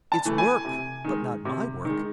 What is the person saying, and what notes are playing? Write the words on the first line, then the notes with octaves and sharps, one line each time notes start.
It's work--but not my work.
A5
E3 A3
G#5
C3
D#3 G#3
C3
D#3 G#3